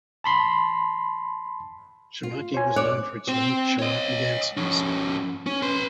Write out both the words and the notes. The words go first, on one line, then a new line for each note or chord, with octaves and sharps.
Shamakhi was known for its unique Shamakhi dancers.
A5 B5 C6
F4
C5 C#5 G#5
C#5 D5 D6 F#6
C4 C5
C#5 D#5
F3 C#4
C#4
B4 C6